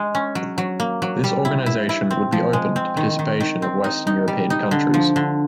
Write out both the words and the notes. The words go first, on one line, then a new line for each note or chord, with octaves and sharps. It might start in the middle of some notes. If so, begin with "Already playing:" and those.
This organization would be open to participation of Western European countries.
Already playing: G#3
C#4
F#3
F#3
A#3
F#3
G3
E4
E4
E4
C4
F3
G#3
C4
D#3
D#3
D#3
C4
D#4
D#4
G3
D#4
D3
F3
D3